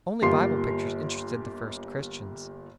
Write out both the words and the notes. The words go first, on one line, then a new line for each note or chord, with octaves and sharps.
Only Bible pictures interested the first Christians.
G1 A#3 F4 G4 C6 C7